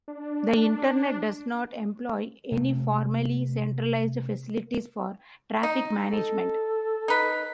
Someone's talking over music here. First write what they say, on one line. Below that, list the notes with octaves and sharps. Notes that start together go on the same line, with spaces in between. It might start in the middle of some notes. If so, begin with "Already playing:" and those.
The Internet does not employ any formally centralized facilities for traffic management.
D4
C3 A3
D#4
A4
D#4 B4